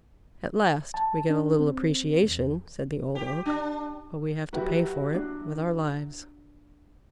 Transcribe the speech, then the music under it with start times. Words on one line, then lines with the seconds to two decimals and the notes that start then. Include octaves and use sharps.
"At last we get a little appreciation," said the old Oak, "but we have to pay for it with our lives."
0.94 A5
1.29 D4
1.58 C4
2.23 E2
3.15 G4
3.46 D4
4.53 F#3 E4 F#4 G4 B4
5.14 D4